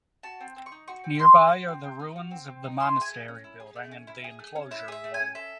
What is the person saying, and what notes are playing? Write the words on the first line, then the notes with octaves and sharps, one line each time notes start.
Nearby are the ruins of the monastery building and the enclosure wall.
F#4 A5
C4
C4
C#6
D#4
F#4 C#6
C4
C4 C6
D#4
F#4
C4
C4
D#4
F#4
C4
C4
D#4
E4 C6
G#4
G#5
A3
C#4
E4
G#4
A3
C#4
E4
G#4
A3
C#4
E4 E5
G#4 E5
A3
G#5
C#4
A4 E5